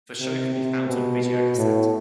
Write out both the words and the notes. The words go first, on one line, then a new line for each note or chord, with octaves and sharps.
The show can be found on videocassette.
C3
C3
B2
B2
A2